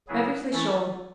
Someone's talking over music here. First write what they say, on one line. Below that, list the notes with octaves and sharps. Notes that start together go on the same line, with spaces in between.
"Perfectly sure."
C#3 F#3 B3 E4 G#4
E3 A3 C#4 E4 A4